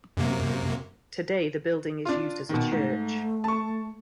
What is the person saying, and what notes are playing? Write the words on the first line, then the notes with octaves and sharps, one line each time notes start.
Today the building is used as a church.
F#2 C3 A#3
D4 F4
B2 D#3
G#2 A3
A5 C#6